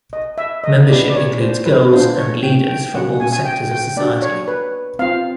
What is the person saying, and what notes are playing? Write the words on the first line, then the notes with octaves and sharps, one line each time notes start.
Membership includes girls and leaders from all sectors of society.
D#5
E5
D#5
B3 E4 G4 D5
D5
C#5
C5
B4
B3 D4 F4 C5
C#5
G5
G5
A#3 C#4 F#4 F#5
G#5
G#5
G5
G5
A#3 D4 F#4 D5
C#5
B4
C4 F4 F5